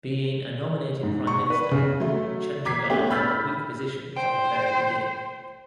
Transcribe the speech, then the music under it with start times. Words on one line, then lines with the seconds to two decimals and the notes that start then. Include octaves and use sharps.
Being a nominated Prime Minister, Chundrigar held a weak position from the very beginning.
1.03 G#2
1.27 C#6
1.50 B4
1.71 C#3
2.00 F#3 A3
2.65 D6 G#6 B6 C7
2.90 A3 B3 C#4 G4
3.10 B5 E6 F6 G6 A6 B6
4.17 C5 G5